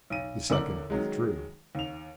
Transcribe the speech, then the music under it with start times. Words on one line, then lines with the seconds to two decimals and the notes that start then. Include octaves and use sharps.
The second withdrew.
0.10 B1 D#7
0.50 A1 D3 A#4 D6 F#7
0.90 D#3 F#3 G#3
1.75 D#2 F7